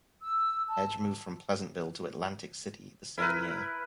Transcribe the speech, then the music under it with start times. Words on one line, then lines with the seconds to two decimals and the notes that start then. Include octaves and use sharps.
Edge moved from Pleasantville to Atlantic City the same year.
0.22 E6
0.68 A5
3.18 E4 A#4 B4